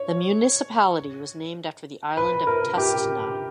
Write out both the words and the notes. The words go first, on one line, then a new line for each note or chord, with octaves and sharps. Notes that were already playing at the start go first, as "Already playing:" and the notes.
The municipality was named after the island of Tustna.
Already playing: C#5
B4
A#4
G4